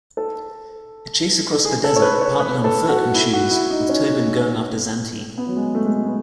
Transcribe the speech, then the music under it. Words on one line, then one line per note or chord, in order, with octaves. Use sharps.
A chase across the desert, partly on foot, ensues, with Tobin going after Zanti.
A4
G#4
A4
C#5
B4
B4
C#5
B4
A4
F#4
E4
F#4
E4
D#4
C#4
B3
F#3
G#3
A3
G#3
A3
B3